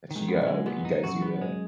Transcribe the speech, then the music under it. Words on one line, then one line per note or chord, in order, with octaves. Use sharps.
that you, uh, you guys do that.
D#3
G#2
B3
F#2
G#3
A#2 B3
D#4
F#2 F#4
B3
G#3